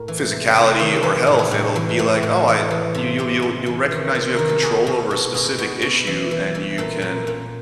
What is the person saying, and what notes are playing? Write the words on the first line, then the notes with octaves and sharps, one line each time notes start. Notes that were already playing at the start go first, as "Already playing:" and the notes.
physicality or health. It'll be like, "Oh, I" you you'll you'll you'll recognize you have control over a specific issue, and you can
Already playing: A2 A#4
E3
C3
C3
D#3
E3 A4
A2
G#4
A2
E3
A2
A2
E3
E3
C3
C3 G4
C3
E3
D#3
C3
D#3 A#4
A4
B2 G#4
B2
B2
B2 G#4
B2
B2
E3
E3
E3
A#2 A4
A#2
A#2